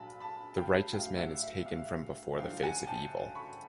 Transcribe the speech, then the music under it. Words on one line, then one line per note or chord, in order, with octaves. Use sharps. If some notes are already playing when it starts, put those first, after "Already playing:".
The righteous man is taken from before the face of evil.
Already playing: A#1 A#2 F#3 A5 B5
A5 B5
F5 G5
A#1 A2 F#3 F5 G5
E5 F#5
E5
F5
F#1 F#2 D3 F3 F5 G5
F#5 G#5
G5 A5
B5 C#6